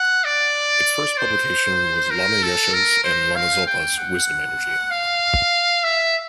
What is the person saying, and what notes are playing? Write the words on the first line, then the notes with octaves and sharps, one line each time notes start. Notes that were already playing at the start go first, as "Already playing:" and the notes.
Its first publication was Lama Yeshe's and Lama Zopa's Wisdom Energy.
Already playing: F#5
D5
C5
A#4
A4
A#4
C5
F5
G5
F#5
F5
E5